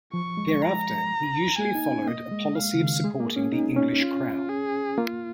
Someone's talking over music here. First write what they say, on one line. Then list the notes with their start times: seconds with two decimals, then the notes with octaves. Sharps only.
Thereafter he usually followed a policy of supporting the English crown.
0.13 F3 C#6
0.37 G#3
0.62 A#5
1.59 A#3 G#5
1.75 D#4
1.91 C#4
2.06 A#3 D#5
2.32 G#3
2.55 F5
2.74 C#3
2.80 D#3
3.04 G#3 G#4
3.20 A#3
3.36 C#4
3.53 D#4
3.76 C#4
4.01 F4
4.49 G#4
4.98 A#3 F4